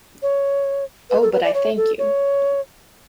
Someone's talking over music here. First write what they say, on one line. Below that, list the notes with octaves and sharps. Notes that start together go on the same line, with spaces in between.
Oh, but I thank you!
C#5
B4
A4
B4
D5
C#5
A4
C#5